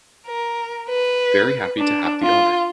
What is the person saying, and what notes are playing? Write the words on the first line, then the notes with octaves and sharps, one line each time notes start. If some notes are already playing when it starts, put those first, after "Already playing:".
Very happy to have the honour!
A#4
B4
D4
F4